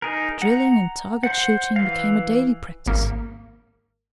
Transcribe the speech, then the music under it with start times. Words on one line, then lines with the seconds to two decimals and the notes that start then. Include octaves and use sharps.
Drilling and target-shooting became a daily practice.
0.02 D#4 G#4 A#4
0.42 F#5 A#5
1.23 C5 F#5
1.76 E3 F5
2.86 G#1 A#3